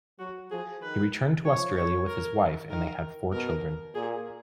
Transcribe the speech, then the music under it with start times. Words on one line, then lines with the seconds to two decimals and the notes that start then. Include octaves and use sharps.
He returned to Australia with his wife and they had four children.
0.19 F#3 F#4
0.51 F3 G#4
0.82 D#3 B4
1.45 F3 C#5
1.76 C#5
2.07 A#4
2.69 D#3 A#4
3.33 B2 A#4
3.95 A#2 G#4